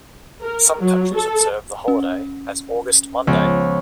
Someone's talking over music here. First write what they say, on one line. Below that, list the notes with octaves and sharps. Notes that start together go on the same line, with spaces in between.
Some countries observe the holiday as "August Monday".
A#4
F#3
A4
C#4
C#2 F3 B3 C#5